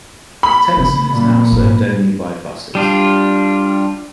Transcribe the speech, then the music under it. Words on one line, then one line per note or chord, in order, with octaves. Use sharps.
Tennyson is now served only by buses.
B5
C#3 C#4
A#2
G#2 B3
G3 D4 F4